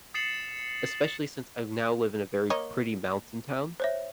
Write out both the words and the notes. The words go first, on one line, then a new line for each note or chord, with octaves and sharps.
especially since I now live in a very pretty mountain town,
D#6 A6 C7 C#7 E7 F#7
A#3 C#5 D#5
C5 C#5 E5